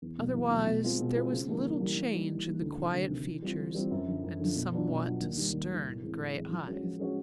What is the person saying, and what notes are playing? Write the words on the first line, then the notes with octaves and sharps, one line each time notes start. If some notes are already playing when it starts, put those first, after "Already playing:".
Otherwise there was little change in the quiet features and somewhat stern grey eyes.
E2
B2 F#3
E2
B2 F#3
B2
G#3 C4 F4 G#4
B2
G#3 C4 F4 G#4
C#3
E3 G3 A#3
C#3
E3 G3 A#3
E3
G3 A#3 D#4
E3
G3 A#3 D#4
D2
C3 D#3
D2
C3 D#3
E3
G3 C4 F4
E3
G3 C4 F4
F#2
D3 F3
F#2
D3 F3
B2
F#3 B3 D4 F4
B2
F#3 B3 D4 F4
D#2
D#3 G3
D#2
D#3 G3
A2
E3 G#3 C4 E4
A2
E3 G#3 C4 E4
F3
G#3 C#4 F#4
F3
G#3 C#4 F#4